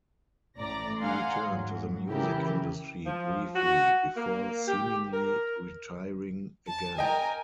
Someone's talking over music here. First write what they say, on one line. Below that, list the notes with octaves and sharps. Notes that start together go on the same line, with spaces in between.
He returned to the music industry briefly, before seemingly retiring again.
A1 A2 D5 A#5 D6 A#6
D5 F5 F#5 G#5 A#5 C6
G#2 F#3
C#3 E3 E4 G4 A#4
F3
F#4
A#3
G4
A#4
A5
A#4 D#5 G5 G#5